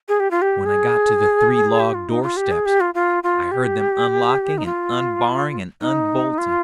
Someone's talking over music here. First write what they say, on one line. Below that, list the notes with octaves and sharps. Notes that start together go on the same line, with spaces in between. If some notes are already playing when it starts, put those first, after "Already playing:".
When I got to the three log doorsteps I heard them unlocking and unbarring and unbolting.
G#4
G4
F4
G4
G#4
G4
F4
D#4
F4
G4
G#4
G4
F4
F4
F4
G4
D#4
F4
D#4
F4